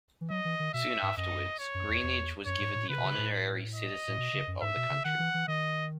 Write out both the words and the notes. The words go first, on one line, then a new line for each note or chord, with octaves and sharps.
Soon afterwards Greenidge was given the honorary citizenship of the country.
E3
F#3 D#5
E3
D#3
B2 E5
G#2
F#2 D#5
C#5
F#2
E2
E2
F#2 C#5
G#2
A2
C#3 B4
B2
C#3
A2
D#5
A2
B2
C#3
F#2
G#2 E5
B2
C#3
D#3 F#5
E3
E3
D#3 D#5